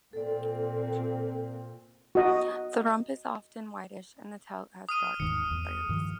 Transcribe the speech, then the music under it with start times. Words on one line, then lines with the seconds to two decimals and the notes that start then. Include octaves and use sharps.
The rump is often whitish and the tail has dark bars.
0.13 A#2 C4 A4 D5
2.15 F#4 D#5
4.89 D#6 F6 D#7
5.20 D#2 G#2 D#3 C#7
5.51 E2
5.89 G2 D#3 F3